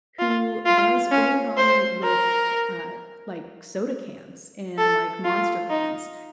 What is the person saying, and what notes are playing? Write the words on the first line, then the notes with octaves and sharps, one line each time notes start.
who does origami with, uh, like, soda cans and, like, Monster cans
F4
F4
C#4
C5
A#4
A4
F4
D#4